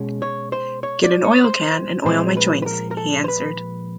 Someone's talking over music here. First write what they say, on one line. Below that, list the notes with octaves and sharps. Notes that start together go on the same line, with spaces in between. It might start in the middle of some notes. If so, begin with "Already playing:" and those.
"Get an oil-can and oil my joints," he answered.
Already playing: B2 G#3 C#4
C#5
C5
C#5
D5
C#5
C5
A#2 F3 G#3 C4 C5
B4
B4
A#4
A#4
A4
C5
B4